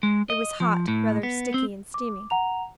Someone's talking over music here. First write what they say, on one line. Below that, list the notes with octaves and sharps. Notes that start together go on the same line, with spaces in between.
It was hot; rather sticky and steamy.
G#3
D#5
F3
A2
B3
C4
D6
F#5 A#5 F7